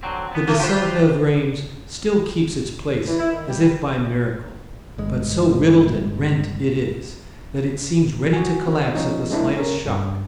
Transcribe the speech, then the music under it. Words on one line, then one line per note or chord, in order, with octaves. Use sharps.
The basilica of Rheims still keeps its place as if by miracle, but so riddled and rent it is, that it seems ready to collapse at the slightest shock.
D3 F#3 C4
F3 B3
A3
F4 G4 B4 C5
E3
E4
D#3
G3
G1 G#3
F#4 G#5
C4
F3 C#4 D#4
G#3 A#3 C4 D4 E4
C#4 A#4
G2